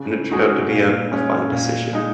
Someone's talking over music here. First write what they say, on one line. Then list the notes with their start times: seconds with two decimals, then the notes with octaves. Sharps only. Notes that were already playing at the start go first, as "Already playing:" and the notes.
and it turned out to be a a fine decision,
Already playing: C#3
0.31 G#3 D#4 F#4
0.70 A#2
1.11 G#3 C#4
1.52 A#2
1.93 G#3 D#4